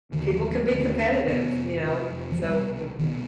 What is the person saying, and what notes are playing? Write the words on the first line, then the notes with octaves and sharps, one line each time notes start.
people can be competitive, you know, so,
D#2 D3 D#3
F3
G3
F3
D#2 D3 C4
B3
C4
D4
C4
F2 C3 B3
F2 C3
F3
C2 B2 G3
C2 B2 D#3